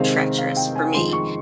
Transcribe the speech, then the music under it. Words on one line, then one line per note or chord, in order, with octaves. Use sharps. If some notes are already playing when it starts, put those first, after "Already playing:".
treacherous for me,
Already playing: C3 D#3 G#3 C4 F5
F5
G5
G#5
F2 D#3 G#3 C6
C#6